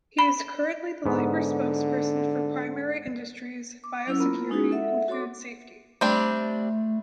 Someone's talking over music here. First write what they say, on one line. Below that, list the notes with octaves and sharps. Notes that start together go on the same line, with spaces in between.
He is currently the Labour spokesperson for Primary Industries, Biosecurity and Food Safety.
B5
G#2 D3 B3
D6
F#3 C#4 E4 E6
A#3 B3 F4 A#4
G#3 C#4 D#4 E4 F#4 G#4
A4 E5 F#5
F#4 A4 C#5 C6 D6
G3 A3 C4 D4